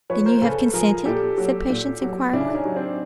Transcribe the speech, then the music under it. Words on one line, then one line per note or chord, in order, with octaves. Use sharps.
"Then you have consented?" said Patience, inquiringly.
F3 B4 C#5
A#4 C5
C#3 A4 B4
F3 G#4 A#4
A#2 G4 A4
F#3
A#2
F#3
C#3 D4 E4
C#4 D#4
F#3
C4 D4